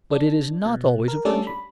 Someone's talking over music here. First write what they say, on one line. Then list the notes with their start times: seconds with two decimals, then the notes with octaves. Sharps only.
But it is not always a virtue.
0.11 D4
0.66 B2
1.08 A#4
1.25 G3 A3 C#4 D4 A4 D5
1.47 B5